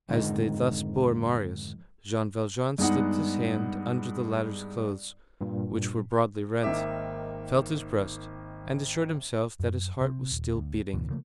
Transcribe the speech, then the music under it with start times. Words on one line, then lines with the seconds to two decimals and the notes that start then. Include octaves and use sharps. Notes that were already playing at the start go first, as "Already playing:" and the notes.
As they thus bore Marius, Jean Valjean slipped his hand under the latter's clothes, which were broadly rent, felt his breast, and assured himself that his heart was still beating.
0.09 F2 G#2 D3 D#3 G#3 D#4
2.78 G2 G#3 B3 D#4 F#5
5.41 G2 A#2
6.63 G#1 D#3 A#3 E5 D6
9.60 F#2
10.01 C3 C4
10.32 D#1
10.56 D2
10.94 A1 D2 B2 E3
11.10 C#3 F3 A3 A#3